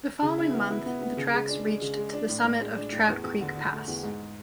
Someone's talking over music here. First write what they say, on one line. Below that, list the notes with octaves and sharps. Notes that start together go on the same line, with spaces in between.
The following month, the tracks reached to the summit of Trout Creek Pass.
C#3
E4
B3
E4
B3
B3
C#3
G#3
D4
G#3
C#3
G#3
D4
A2
A2
G#3
D4
A2
E2
E2
D3
D3
A3
E2
G#2